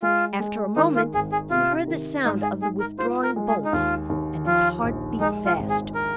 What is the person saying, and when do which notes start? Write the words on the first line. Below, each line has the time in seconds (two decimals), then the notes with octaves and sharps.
After a moment, he heard the sound of the withdrawing bolts, and his heart beat fast.
0.02 G#3 F4
0.40 G#3
0.76 D#3 D#4
0.96 F4
1.14 G#1 G#4
1.32 G#4
1.50 C3 F4
1.87 D#3
2.24 G#2 D#4
2.43 G#4
2.62 G#2 G#4
2.80 A#4
2.99 F4 C5
3.23 A#4
3.36 G#3
3.48 G#4
3.65 D#4
3.72 D#2 F4
4.10 D#2
4.46 F3 F4
4.83 A#1
5.20 G#3 D#4
5.46 F4
5.57 G#1
5.70 G#4
5.95 A#4